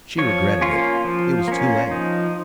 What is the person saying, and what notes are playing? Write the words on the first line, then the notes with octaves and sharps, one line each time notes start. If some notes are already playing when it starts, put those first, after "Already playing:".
She regretted it. It was too late.
F3 C#5
A#3 C#4 F4
F3
A#3 C#4
F3 D#4